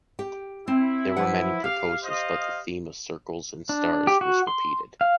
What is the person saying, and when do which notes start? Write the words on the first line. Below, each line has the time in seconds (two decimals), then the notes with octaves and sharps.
There were many proposals, but the theme of circles and stars was repeated.
0.19 G4 G5
0.68 C4 E4
1.16 F3 B4 F#5
1.64 G4 F5
2.03 C5 D#5 F5
3.69 D4
4.07 G4
4.21 F#4
4.47 C6
5.01 F5